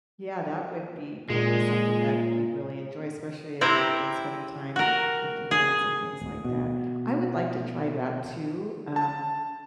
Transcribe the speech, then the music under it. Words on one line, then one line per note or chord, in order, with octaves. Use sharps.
Yeah, that would be probably something that you'd really enjoy, especially if you've been spending time lifting weights and things like that. I would like to try that too, um,
A#2 G#3
C3 C4 E4 A#5
F#4 A#4
G#4
D1
B2
A5